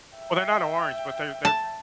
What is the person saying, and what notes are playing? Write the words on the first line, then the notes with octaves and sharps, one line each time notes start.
Well, they're not orange, but their their
E5 G5
A5